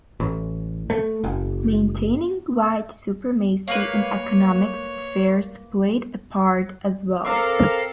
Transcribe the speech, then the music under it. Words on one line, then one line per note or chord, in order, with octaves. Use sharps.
Maintaining white supremacy in economic affairs played a part as well.
A1
A3
F#1
A#3 B4 C#5
C4 A4 A#4 F5 A#5 D6 E6